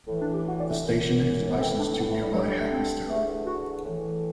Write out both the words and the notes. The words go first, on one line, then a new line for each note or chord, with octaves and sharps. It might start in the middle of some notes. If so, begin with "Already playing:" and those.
The station is licensed to nearby Hackettstown.
A2 E3
D4
G4
F#4
D4
A3
F#2 E3
B3
A2 E3 C4
D4
B3
A3
G3
G2 D3 F#3
G3
A3
C4
E2 D3 A3
F#4
A2 E3